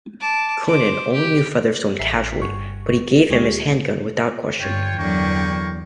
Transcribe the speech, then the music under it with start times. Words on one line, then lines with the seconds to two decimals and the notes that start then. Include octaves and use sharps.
Coonan only knew Featherstone casually, but he gave him his handgun without question.
0.20 A5 D6
0.67 C5 D6
1.12 G4 B4
1.99 A1 E5 B6 C7
2.41 G1 G2 C#6
3.30 D2 G#3 G4 G#4 C#6 G#6
4.60 G1 G2 F4 C#5 G5
4.98 E2 D3 F#3 G3 A#3 C#6